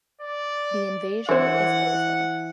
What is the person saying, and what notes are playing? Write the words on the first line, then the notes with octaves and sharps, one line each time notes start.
The invasion is over.
D5
E3 C5 F#5